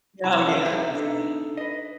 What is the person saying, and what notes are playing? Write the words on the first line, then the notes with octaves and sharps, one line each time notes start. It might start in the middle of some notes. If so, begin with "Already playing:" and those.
Oh, yeah. Definitely.
C3 E4 A5 B5
C#4 A4 D#5 E5 F#5 A5
D#4 A4 B4 E5
D4 D#4 A4
B4 D#5